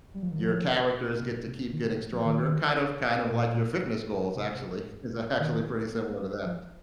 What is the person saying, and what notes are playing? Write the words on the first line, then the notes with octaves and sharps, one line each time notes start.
your characters get to keep getting stronger, kind of kind of like your fitness goals actually, is actually pretty similar to that
G3
F3
D#3
F3
C3
C3
D#3
C3
F3
D#3
A#2
C3
D#3
A#3
G3
F3